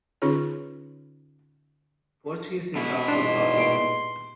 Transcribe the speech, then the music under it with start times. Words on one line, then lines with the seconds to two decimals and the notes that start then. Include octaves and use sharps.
Portuguese is also taught.
0.22 D3 C#4 D#4 F4 G#4 C#5
2.76 B2 E4
3.08 G2 G#3 D4 D#4 C6
3.57 A#2 C7 D7